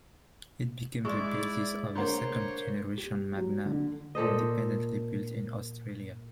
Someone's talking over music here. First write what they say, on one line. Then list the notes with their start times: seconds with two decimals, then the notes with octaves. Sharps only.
It became the basis of the second generation Magna independently built in Australia.
1.05 G#3 E4 D5 C6 C#6
1.95 D3 A#3 C5 C#5 F#5 A#5 C6
2.98 G4
3.36 F#3
3.66 D3
4.15 A#2 A4 C5 D#5